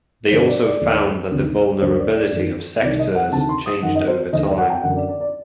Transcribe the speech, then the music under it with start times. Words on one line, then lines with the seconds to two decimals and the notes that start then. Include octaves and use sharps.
They also found that the vulnerability of sectors changed over time.
0.31 G2 D3 C5
0.47 D5
0.64 D5
0.81 D#2 D#3
1.31 D2 C3 D#3
1.81 D2 D3 C5
1.98 D5
2.15 D5
2.31 F#2 D#3
2.82 C2 C3 D#3 D5
2.99 D#5
3.15 F#5
3.32 D2 C3 D#3 A5
3.49 C6
3.66 D#6
3.82 F#2 D#3 F#5
3.95 D#5
4.08 C5
4.20 C5
4.33 D#2 D3 D#5
4.45 D5
4.58 F#5
4.70 G5
4.83 F#2 D3 F#5
4.96 D5
5.08 D5
5.20 D5